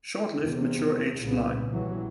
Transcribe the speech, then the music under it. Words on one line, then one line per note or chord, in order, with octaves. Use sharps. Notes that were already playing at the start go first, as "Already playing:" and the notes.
Short-lived mature-aged line.
E2 C3
C2 A#2 C#3 B3
A#1 E3 F#3 G3